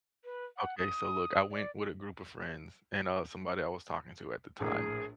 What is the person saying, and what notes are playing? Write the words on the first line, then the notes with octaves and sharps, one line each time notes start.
Okay, so look, I went with a group of friends and, uh, somebody I was talking to at the time.
B4
F#5
D#6
D5
A#1 A2 G#4 A#4